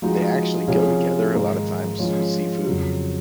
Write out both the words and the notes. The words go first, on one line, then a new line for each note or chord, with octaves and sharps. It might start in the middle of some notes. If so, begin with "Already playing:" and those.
they actually go together a lotta times with seafood.
F3 G#3 D#4 F#4
C3 F3 A#3 C#4 G#4
G#2 D#3 A#3
F3 G#3 C#4
F2 C#3 F#3